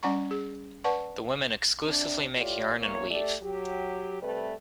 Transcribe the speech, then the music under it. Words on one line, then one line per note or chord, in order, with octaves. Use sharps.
The women exclusively make yarn and weave.
G3 C#4 D5 F#5 A#5 C#6
G#4
B4 D5 F#5 A5 C#6
C3 D4
A2 F4 G4 C#5 D5
E2 A#3 C#5
A3 G4 D5
F#3 G4
C3 G3 A3 B4